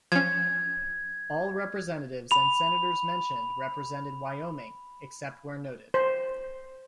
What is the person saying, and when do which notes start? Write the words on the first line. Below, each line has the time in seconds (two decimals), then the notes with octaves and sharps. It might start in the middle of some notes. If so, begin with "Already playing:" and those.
All representatives and senators mentioned represented Wyoming except where noted.
0.12 F3 C#4 G#6
2.31 B5 F7
5.94 C5